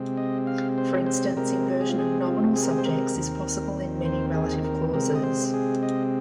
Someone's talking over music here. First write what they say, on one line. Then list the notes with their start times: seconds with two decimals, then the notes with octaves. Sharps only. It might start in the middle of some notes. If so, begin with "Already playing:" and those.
For instance, inversion of nominal subjects is possible in many relative clauses.
Already playing: C3 G#3 C4
0.17 D#5
0.47 F5
0.78 C5
1.06 C5
1.37 C3 G#3 C4 A#4
1.81 G#4
1.89 F4
1.99 G#4
2.26 F4
2.56 G#4
2.63 A#4
2.70 G#4
2.78 C5
2.85 A#4
3.15 D#2 D#3 C4
4.05 C5
4.34 G#4
4.64 A#4
4.94 C3 G#3 C4 A#4
5.15 D#5
5.23 C5
5.54 G#4
5.83 D#5